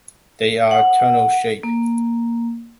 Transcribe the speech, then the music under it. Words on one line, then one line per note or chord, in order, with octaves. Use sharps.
They are tunnel-shaped.
F#5
A#3